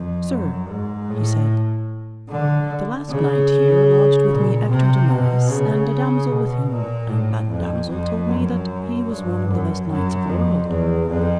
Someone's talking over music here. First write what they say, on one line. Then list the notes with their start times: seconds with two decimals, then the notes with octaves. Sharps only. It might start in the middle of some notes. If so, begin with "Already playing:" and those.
Sir, he said, the last night here lodged with me Ector de Maris and a damosel with him, and that damosel told me that he was one of the best knights of the world.
Already playing: F2
0.30 F#2
0.69 G#2
1.10 A2
2.29 D3
3.09 C#3
4.30 A#2
4.69 C3
5.10 B2
5.50 C#3
6.29 B2
6.70 A#2
7.09 A2
7.49 F2
7.89 F2
8.29 F#2
9.09 G2
9.49 F#2
9.89 F#2
10.29 F2
10.69 E2
11.09 F2